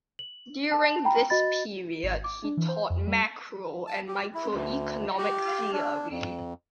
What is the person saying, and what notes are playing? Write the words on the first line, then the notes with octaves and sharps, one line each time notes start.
During this period he taught macro- and micro-economic theory.
F#7
A5
G5 A#5 B5
F#4 D#5 B5 A6
D7
G#1
D6
D4
E3
C5
F2
G3
A5
G4
E4
D2
G4
D4
F2